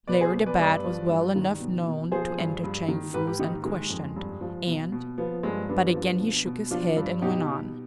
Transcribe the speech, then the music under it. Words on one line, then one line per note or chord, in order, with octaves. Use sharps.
Larry the Bat was well enough known to enter Chang Foo's unquestioned, and--but again he shook his head and went on.
B2 B4 D5
G#4 C5
B2
B4 D5
G2 B4 D5
F3
G2
D#3
B2
B2
F3 G#4 C5
G2
G2
D#3
G#2 G4 B4
G4 B4
D#3 D#4 G4
D#3 G#3
F2
G2
F3
B2
B2
F3 B3
G2 G#3 C4
G2 B3 D4
F3
B2
B2
F3 D4 F4
G2
B2 D#4 G4
B2